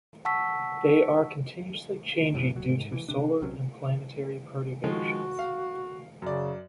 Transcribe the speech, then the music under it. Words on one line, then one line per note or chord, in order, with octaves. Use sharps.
They are continuously changing due to solar and planetary perturbations.
F#5 A5 C#6 E6 B6
F#2 A2 C3 E3
D1 F#3
G#2
E3
C3 D4
A#1 C3 F#3 C#4
D#3 F3 G#3 F#4
F5
F#2 C#3 D5